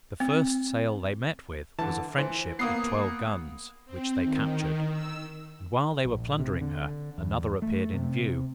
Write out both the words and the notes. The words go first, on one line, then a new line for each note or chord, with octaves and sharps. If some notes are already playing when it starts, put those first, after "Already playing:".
The first sail they met with was a French ship of twelve guns, which they captured; and while they were plundering her, another appeared in view.
C4
D3 E3 A5
E3 C5
A#3 B3 D#6 C7
C4
D#3
E6
A#1
C3
D3
E2
A3
C3